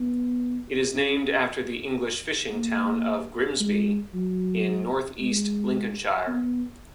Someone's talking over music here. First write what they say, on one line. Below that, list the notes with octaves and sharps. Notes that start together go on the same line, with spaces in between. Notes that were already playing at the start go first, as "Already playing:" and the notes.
It is named after the English fishing town of Grimsby in North East Lincolnshire.
Already playing: B3
C#4
A#3
G#3
F#3
G#3
B3